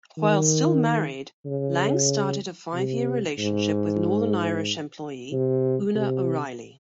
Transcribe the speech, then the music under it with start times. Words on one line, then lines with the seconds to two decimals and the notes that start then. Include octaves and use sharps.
While still married, Lange started a five-year relationship with Northern Irish employee Oonagh O'Reilly.
0.18 D#3
1.46 C#3
2.74 C3
3.39 G#2
5.32 C3
5.95 C3